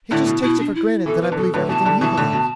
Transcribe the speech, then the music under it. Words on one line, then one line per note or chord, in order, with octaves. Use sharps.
He just takes it for granted that I believe everything he believes.
A2 D3 E4
B2
B2 E4
D4
E4
B2 E3 A4
B4
D3
B2 A4
A2 D3 B4
B2 E3 A5
D3 G3
B2 E3 A5
A2 D3
B2